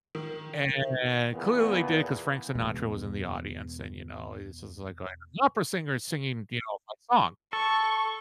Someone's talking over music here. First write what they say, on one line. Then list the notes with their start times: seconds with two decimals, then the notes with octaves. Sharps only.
and clearly they did it 'cause Frank Sinatra was in the audience and, you know, this was, like, an opera singer singing, you know, my song.
0.15 D#3
1.33 E2 A#2 B3
2.55 E2 B2 G#3
7.53 A4 C#6